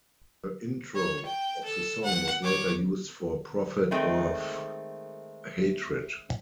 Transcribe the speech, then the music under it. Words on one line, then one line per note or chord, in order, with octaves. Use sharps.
The intro of the song was later used for "Prophet of Hatred".
C#5
G5
A4
F#5
C#5 D6
D#3 G#3 A3 C4